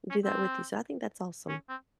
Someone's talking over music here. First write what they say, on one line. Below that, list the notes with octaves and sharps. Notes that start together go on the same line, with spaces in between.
do that with you. So I think that's awesome.
C#4
C4
C#4
C4